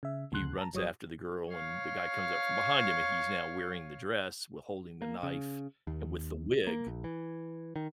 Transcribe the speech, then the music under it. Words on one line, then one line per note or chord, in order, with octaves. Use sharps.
he runs after the girl, and the guy comes up from behind him, and he's now wearing the dress, while holding the knife and with the wig,
C#3 E5
D2 C#3 C6 F#6
A5 A#5
G1 F#3 C#5 D#6
C#5 F5
A#3
C#3
D#2
A#3
A#1
E3
D#3